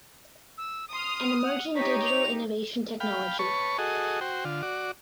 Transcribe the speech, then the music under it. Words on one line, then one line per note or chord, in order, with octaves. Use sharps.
An emerging digital innovation technology.
E6
C6 D#6 F6
F#5
D#4 G4 C#5 B6
F7
F5 G5 B5
B4 C#5 A5 C#6
F#4 G#4 A4 D#5
F#4 C5 G5
D3 F4
F#4 D5